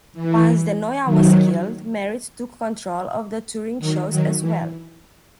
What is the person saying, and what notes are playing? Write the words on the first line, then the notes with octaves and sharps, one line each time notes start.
Once De Noia was killed, Merritt took control of the touring shows as well.
E3
D#3 F#3
D#3 F#3
D#3 F#3
E3